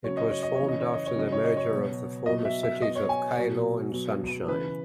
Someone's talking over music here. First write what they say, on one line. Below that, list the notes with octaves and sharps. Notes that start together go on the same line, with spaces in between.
It was formed after the merger of the former Cities of Keilor and Sunshine.
C#3 F#3 C#5
D#5
C#5
D#5
C#5
C#3 E3
D#5
C#5
D#5
C#5
C#3 F#3 D#5
C#5
D#5
C#5
B2 F#3
B2 F#3 D#5
E5
E5
B2 F#3 D#5
C#5
G#5
B2 F#3
B2 F#3
C#3 E3 B4